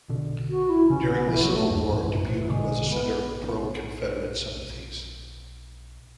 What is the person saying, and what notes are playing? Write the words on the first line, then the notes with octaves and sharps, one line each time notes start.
During the Civil War, Dubuque was a center of pro-Confederate sympathies.
B2 D3
F#4
E4
C#3 E3 C#4
B3
E3
F#3
A3
E2 G#2
F#2 A2 E3
F#2 A2 E3
G#2 B2 E3
B2 D3 G#3
B3